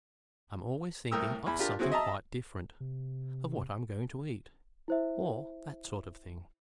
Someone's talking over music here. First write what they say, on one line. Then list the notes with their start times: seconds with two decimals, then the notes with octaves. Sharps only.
I'm always thinking of something quite different,--of what I'm going to eat, or that sort of thing.
1.12 C2 A2 A#4 G5 D#6 E6
1.46 E2 B5
1.59 D4 F4 G4 A#4
1.79 F#3 B3 C4 E4 F#4 G#4
1.92 D#5 E5 A5 A#5
2.80 C3
4.88 E4 C5 E5